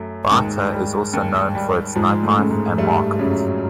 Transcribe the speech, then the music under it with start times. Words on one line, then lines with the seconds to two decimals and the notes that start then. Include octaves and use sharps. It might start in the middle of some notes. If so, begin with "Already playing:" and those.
Bata is also known for its nightlife and market.
Already playing: F#2 F#3 A3
0.31 D#2 G#2 G#3
0.72 G3
1.13 D#2
1.55 G3
1.96 G#2 F3 G#3
2.23 A2 A3
2.37 C#3
2.50 G#2 G#3
2.78 G2 G3 A3
3.19 F#2 C#3 F#3